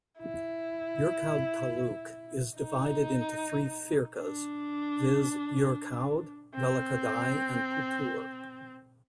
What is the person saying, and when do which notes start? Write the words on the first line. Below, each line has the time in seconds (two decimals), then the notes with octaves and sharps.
Yercaud Taluk is divided into three Firkas viz., Yercaud, Vellakkadai and Puthur.
0.20 E4
2.58 D#4
4.17 D4
6.55 C4